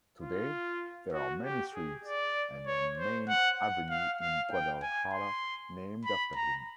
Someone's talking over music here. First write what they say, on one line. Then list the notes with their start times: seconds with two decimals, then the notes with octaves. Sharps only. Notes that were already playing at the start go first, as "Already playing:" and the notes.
Today, there are many streets and a main avenue in Guadalajara named after him.
0.20 F4
1.13 F#4
1.43 G4
1.74 G#4
2.05 D5
2.66 C#5
2.98 C5
3.28 F#5
3.59 F#5
3.90 F5
4.20 F5
4.51 G5
4.83 G#5
5.13 C6
6.05 B5
6.36 A#5